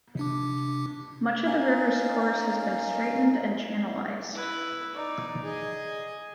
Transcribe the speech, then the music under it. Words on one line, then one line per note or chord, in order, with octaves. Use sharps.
Much of the river's course has been straightened and channelized.
C3 D4 D6
C#4 D#4 A#4 F5
E4 B4
D#4 D5
G#4 D#5